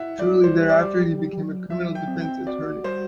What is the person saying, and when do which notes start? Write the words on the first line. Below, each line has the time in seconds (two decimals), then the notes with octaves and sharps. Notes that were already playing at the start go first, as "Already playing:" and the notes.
Shortly thereafter he became a criminal defense attorney.
Already playing: E4 E5 F#5
0.19 G3 D5
0.44 C5
0.56 G4
0.69 D5
0.95 F#3
1.33 F#3
1.70 F#3 E5
1.95 G5
2.08 C4
2.21 G5
2.47 F#4 D5
2.84 G3 C5